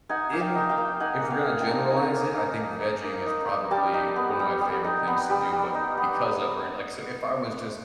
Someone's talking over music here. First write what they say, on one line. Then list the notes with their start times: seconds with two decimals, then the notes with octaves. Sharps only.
in, if we're gonna generalize it, I think vegging is probably one of my favorite things to do, but because I've earned, like so if I was just
0.09 D#4 F#5 G#5
0.33 A#3
0.40 F5 G5
0.55 D#4
0.69 F5 G5
0.78 A#3
1.00 D#4 F#5 G#5
1.20 A#3 F#5
1.30 F5 G5
1.46 D#4
1.60 G5 A5
1.68 A#3
1.90 D#4 G#5 A#5
2.13 A#3
2.36 D#4
2.58 A#3
2.81 D#4
3.04 A#3
3.26 D#4
3.49 A#3
3.71 G3 G5 A5
3.94 D#4
4.16 B3
4.39 G3
4.61 G3
4.84 D#4
5.07 B3
5.30 G3
5.52 G3
5.74 D#4
5.97 B3